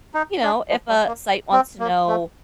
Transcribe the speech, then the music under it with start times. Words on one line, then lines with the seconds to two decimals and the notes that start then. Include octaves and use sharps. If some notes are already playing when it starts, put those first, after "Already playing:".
you know, if a site wants to know,
0.14 D#4
0.43 D4
0.70 F3
0.89 G3
1.07 A#3
1.52 C4
1.80 A#3
2.08 A3